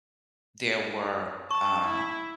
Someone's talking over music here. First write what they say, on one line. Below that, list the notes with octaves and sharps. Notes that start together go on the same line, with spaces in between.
there were, um,
A5 C#6
E4